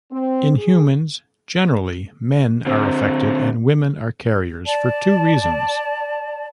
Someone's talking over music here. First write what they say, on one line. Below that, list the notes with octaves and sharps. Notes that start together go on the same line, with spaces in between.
In humans, "generally" "men are affected and women are carriers" for two reasons.
C4
G#4
D3 C4
D5 A5